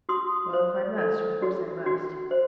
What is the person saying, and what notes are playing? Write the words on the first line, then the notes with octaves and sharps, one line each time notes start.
Well, if I must, of course I must.
F#4 C6 D#6
C5
A4
F#4
F#4
C5